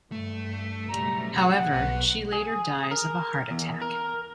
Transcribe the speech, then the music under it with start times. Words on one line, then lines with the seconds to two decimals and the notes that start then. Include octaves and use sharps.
However, she later dies of a heart attack.
0.12 G2 A3
0.89 F#1 B2 G3 A#5
1.35 C2 G#4 F#5
1.71 B1 B2 B4
2.33 G#4
2.91 A#4
3.51 E2
3.82 A#4